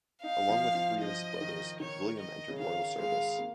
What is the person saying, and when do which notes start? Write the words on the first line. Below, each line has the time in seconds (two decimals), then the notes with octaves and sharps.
Along with three of his brothers, William entered royal service.
0.23 D#4 F5
0.49 F3
0.75 F3
1.01 F3 D#5
1.41 D#3
1.80 D#3 C#5
2.20 D#5
2.49 C#3
2.59 D#3 F5
2.99 G#3 F5
3.38 A#3